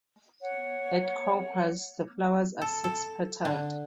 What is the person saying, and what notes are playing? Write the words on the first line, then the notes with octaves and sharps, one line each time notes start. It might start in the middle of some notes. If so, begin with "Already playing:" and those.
At Conques the flowers are six-petalled.
C#5 F#5
A4
A4
D3